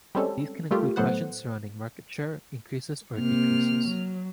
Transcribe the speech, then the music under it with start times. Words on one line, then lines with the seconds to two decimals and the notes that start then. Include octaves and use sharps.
These can include questions surrounding market share increases or decreases.
0.15 G3 G#3 C4 C#4 A4
0.71 G3 A3 A#3 F4 G4
0.96 A2 F#3 A3 B3 C5 F#5
3.18 C3 A#3 F6
3.88 F#3